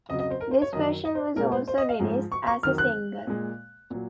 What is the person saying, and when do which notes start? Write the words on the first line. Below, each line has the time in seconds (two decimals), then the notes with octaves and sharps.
This version was also released as a single.
0.09 F2 C#3 F#3 D#5
0.19 D#5
0.30 C5
0.41 A#4
0.51 C5
0.62 C#5
0.73 F#2 D#3 F#3 D#5
1.05 D#5
1.15 C5
1.36 A#2 G#3 A#4
1.52 C5
1.68 C5
1.78 D#5
1.89 F5
1.99 G#2 F3 G#3
2.32 C#6
2.47 C#6
2.63 F2 D#3 F#3 F6
2.78 F#6
3.27 A#2 G#3
3.90 A#2 F#3